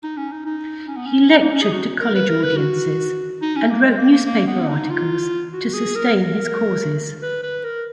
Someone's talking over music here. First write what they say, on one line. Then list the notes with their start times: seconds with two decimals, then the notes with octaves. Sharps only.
He lectured to college audiences and wrote newspaper articles to sustain his causes.
0.04 D#4
0.17 C#4
0.32 D#4
0.45 D#4
0.88 C#4
0.97 B3
1.06 C#4
1.30 C#4
1.41 A#3
1.51 C#4
1.62 G#4
1.72 F#4
2.00 A#4
2.15 B4
2.29 A#4
2.43 B4
2.57 F#4
3.42 D#4
3.56 C#4
3.70 A#3
3.84 G#3
3.98 A#3
4.12 A#3
4.26 A#3
4.47 B3
4.68 D#4
4.90 F4
5.53 F#4
5.74 G#4
5.95 A#4
6.16 A#4
7.22 B4
7.43 B4
7.65 A#4